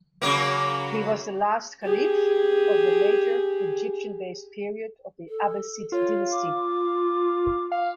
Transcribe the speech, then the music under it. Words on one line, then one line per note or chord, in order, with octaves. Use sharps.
He was the last caliph of the later, Egyptian-based period of the Abbasid dynasty.
C#3 F#3 A#3
G4 G#4
A4
F4 C#5
D6
F5